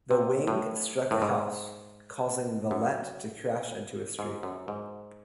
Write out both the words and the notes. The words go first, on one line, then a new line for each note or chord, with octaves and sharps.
The wing struck a house, causing the Let to crash into a street.
C3
A2
A2
G#2
F#2
G#2
F#2
G#2